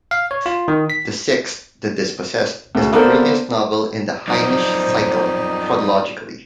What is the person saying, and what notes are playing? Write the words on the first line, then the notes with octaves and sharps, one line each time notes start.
The sixth, "The Dispossessed", is the earliest novel in the Hainish Cycle, chronologically.
F5
C#5
F4
D#3
B6
D2 C#3
A#3 B3 D4 A4 A#4 C5
F#2 F3 D#4 C5 D5 D#5